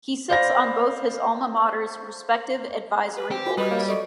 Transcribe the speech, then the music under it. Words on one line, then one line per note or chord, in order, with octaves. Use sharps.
He sits on both his "alma maters"' respective advisory boards.
C5 D5 F5 B5 A#6
B4
C4 G4
F4 F#4 C5 G#5
G3 B4 D#5 B5 D#6
A#3 C#5
A4 D5 D#5 C#6